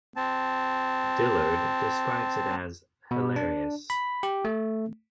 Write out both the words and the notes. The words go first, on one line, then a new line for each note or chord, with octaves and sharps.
Dillard describes it as "hilarious".
C4 A5
B2
D4
B5
G4
A3